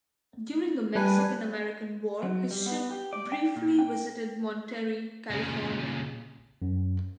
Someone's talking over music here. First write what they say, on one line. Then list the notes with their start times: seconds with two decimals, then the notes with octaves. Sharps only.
During the Mexican-American War, his ship briefly visited Monterey, California.
0.95 G3 D4 B4 G#5
2.23 F#3
2.51 G3
2.66 B3
2.90 G4
3.13 D5
3.32 G5
3.56 A#2
3.79 G5
5.31 A#2 C#3
6.62 F#2